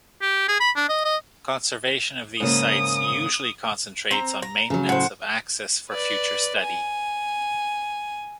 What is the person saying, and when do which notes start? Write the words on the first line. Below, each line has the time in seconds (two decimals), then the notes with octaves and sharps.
Conservation of these sites usually concentrates on maintenance of access for future study.
0.22 G4
0.48 G#4
0.60 B5
0.76 D4
0.89 D#5
1.05 D#5
2.40 G#2 C#3 A#3 D#6
4.11 C4 A#5
4.42 A#5
4.70 C#3 F#3
4.89 A2 C5 F#5
5.90 B4 D5
6.61 G#5